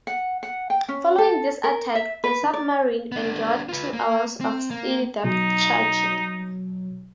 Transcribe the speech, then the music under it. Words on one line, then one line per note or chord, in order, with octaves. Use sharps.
Following this attack, the submarine endured two hours of steady depth charging.
F#5
F#5
G5
C#4
A4
A#4
E5
B4
D5
B3 D4
F4 B4
A#3
C4
A#3
B2 F#3 D#4